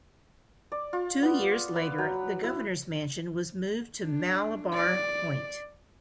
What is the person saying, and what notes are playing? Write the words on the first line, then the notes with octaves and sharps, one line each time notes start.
Two years later, the Governor's Mansion was moved to Malabar Point.
D5
F4
B3
B4
F#3
E4
D4
D5